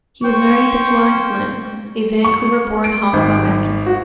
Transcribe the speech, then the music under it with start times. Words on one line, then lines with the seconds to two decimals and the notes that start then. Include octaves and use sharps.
He was married to Florence Lim, a Vancouver-born Hong Kong actress.
0.24 C5 G5 C#6
2.24 C#6
2.84 D7
3.13 G#1
3.86 F#4